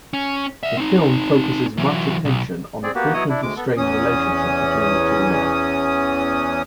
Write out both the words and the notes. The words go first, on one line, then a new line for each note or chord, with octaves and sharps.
The film focuses much attention on the frequently strained relationship between the two men.
C#4
D5 E5
C4 D#4
E3 F#3
B1
C4 G#4 D5
A#3 B3 F#4 G4
F#3 B3 E4 C#5 D#5 D#6
D4 E4
D2 G#3 D6
B3 A4
E2 E3 C#4 D#6